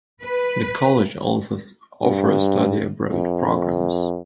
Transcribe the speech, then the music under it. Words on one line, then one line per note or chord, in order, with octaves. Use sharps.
The college also offers study abroad programs.
B4
G2
F2